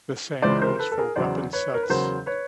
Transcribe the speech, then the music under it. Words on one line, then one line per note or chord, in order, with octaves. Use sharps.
The same goes for weapon sets.
C#2 C#3 E3 G#3 C5 D5
A#4 C5
A4 B4
A4
G#4 A#4
E2 C#3 F#3 C5 D5
B4 C#5
A#4
B4
E2 C#3 F#3 A#4 C5
B4 C#5